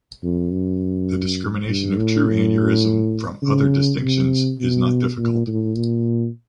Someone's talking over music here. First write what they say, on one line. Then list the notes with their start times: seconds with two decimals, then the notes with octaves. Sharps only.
The discrimination of true aneurysm from other distinctions is not difficult.
0.23 F2
0.52 F#2
1.69 G2
1.98 A2
3.42 C#3
4.02 C3
4.59 B2
5.18 A#2
5.47 A2
5.75 A#2